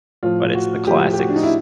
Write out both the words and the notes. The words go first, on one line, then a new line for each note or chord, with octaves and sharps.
But it's the classics.
A2 F3 F4
F#4
A2 F3 G4
G4
F#4
D4
D#4
E4